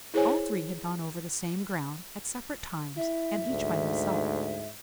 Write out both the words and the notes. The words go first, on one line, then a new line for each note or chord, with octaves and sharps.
All three had gone over the same ground, at separate times, and each by himself.
E4 G#4 C5 C#5 G#5
E4 E5
D2 G#2